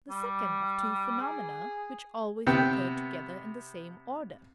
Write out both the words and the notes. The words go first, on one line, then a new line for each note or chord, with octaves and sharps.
The second of two phenomena which always occur together in the same order.
G3
G#4
C3 B3 G5